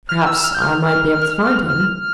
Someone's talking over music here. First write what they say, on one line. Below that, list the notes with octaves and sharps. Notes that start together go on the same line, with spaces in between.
Perhaps I might be able to find him.'
F6
E6
F6
G6
F6
F6